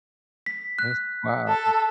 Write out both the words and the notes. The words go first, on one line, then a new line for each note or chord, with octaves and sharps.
That's wild.
B6
F#6
A4